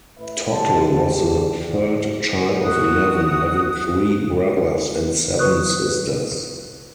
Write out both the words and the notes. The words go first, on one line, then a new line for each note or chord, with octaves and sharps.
Tottel was the third child of eleven, having three brothers and seven sisters.
A1 B4 E5
G1 F#3 G#3 C4 A5
G1 D#2 G4 G#4
D#3 C4 D5
F#4 D#6 F#6
B4 C#6 D#6 F#6